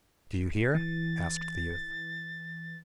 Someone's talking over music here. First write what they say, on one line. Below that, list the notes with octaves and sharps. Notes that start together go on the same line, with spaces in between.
'Do you hear?' asked the youth.
E3 A6